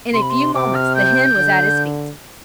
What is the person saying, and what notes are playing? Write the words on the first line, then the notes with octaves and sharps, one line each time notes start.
In a few moments the hen was at his feet.
C3 C6
B5
C6
C3 D6
F6
G6
D3